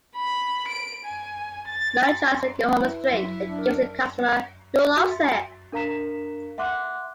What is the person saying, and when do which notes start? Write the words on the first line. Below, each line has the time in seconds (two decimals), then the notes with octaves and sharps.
Moe tries making Homer's drink, and gives it to a customer, who loves it.
0.16 B5
0.68 D7
1.04 G#5
1.67 A6
2.81 E4 B4 F#6
3.11 G1 F#3 E5
3.46 D4
3.58 A#4
4.97 F#4 E5 C6 C#7
5.11 A6
5.72 D4 A#4 F5 A#5 B6 E7
6.58 E5 F#5 C6 D6 F#6